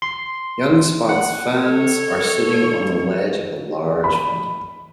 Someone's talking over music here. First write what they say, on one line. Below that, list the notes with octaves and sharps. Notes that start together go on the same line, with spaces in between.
Young spots fans are sitting on the ledge of a large fountain.
C6
F#5
A4 C#5
B5